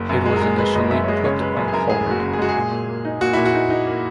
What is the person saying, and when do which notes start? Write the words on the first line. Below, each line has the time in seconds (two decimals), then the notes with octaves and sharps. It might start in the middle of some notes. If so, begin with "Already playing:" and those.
It was initially put on hold.
Already playing: F#1
0.09 F#2 F#4
0.26 G#3 G#4
0.36 A#4
0.42 G#3
0.58 G#3 B4
0.75 F#1 D#5
0.91 F#2 E5
1.04 C#5
1.08 G#3 D#5
1.24 C#3 C#5
1.40 G#3 B4
1.57 F#2 B4
1.68 G#4
1.73 F#2 A#4
1.90 G#3 G#4
2.06 F#1 F#4
2.23 C#3
2.33 G#4
2.38 G#3 F#4
2.49 G#4
2.56 A#2
2.71 A#2
2.88 A#3
3.05 D#4
3.21 A#2 F#4
3.33 A#2 E4
3.45 F#4
3.54 D#4
3.70 D#4
3.86 A#3